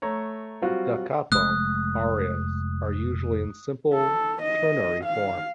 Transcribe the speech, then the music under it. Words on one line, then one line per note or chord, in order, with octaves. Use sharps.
"Da capo" arias are usually in simple ternary form.
A3 C#5 A#5
F#3 G3 C4 F4 F#4
F1 G#3 A3 D#6 F#6
A4
D#5
F5